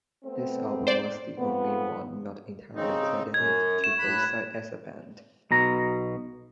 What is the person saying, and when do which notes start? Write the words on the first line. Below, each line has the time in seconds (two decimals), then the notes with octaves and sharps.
This album was the only one not entirely credited to Bayside as a band.
0.24 A3 B3 C4
0.87 C5 D5
1.38 F2 B3
2.75 C#3 C4 D#4
3.34 F#2 G#6
3.84 A3 E7
3.99 A2 B5 F#6
5.51 B1 B2 A#5